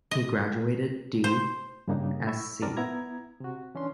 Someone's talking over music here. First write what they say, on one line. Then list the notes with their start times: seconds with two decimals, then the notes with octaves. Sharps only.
He graduated D. Sc.
0.11 D#5
1.24 C5
1.88 G2 C#3 G3 A#3 D4 D#4
2.27 E4 E5 C#6
2.62 F#2 C4 A#4 D5 A5
2.77 B3 E4 A#5 G#6
3.40 C3 F#4
3.75 E3 C#4 D4 C6